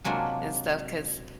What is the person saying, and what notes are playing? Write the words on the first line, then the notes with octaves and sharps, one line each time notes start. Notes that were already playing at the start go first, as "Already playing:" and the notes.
and stuff 'cause
C3 F#3 G#3 A#3 D4 F4